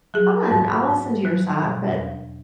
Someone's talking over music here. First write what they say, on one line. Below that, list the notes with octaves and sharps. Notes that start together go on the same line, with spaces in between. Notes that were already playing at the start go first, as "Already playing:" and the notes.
fine, I'll listen to your side, but
F#3 G#4
G#2
G#2
F#3
B2
E2